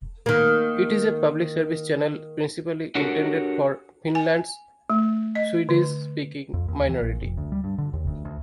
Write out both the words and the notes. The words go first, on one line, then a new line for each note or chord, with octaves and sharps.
It is a public-service channel principally intended for Finland's Swedish-speaking minority.
D#3 A#3
D4 F#4 G4 A4 A#4 C#5
G#5
A3
D#5
D3
F2
D#2
E3
A#1
F1
D2
G3
G2
D3
D#2
D2
D2